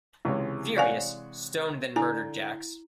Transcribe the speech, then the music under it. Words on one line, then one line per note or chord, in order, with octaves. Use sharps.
Furious, Stone then murdered Jax.
C#2 C3 E3 G#3 C#5
C#5 D5 F5 F#5 G#5 C#6
D3 E4 G#5